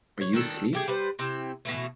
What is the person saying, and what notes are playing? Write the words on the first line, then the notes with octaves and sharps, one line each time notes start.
Are you asleep?
C#5
D#3 D4 A4
A3 G4 G#4
G3 B4 C5
C3 C4 E4 G5
B2 E3 A3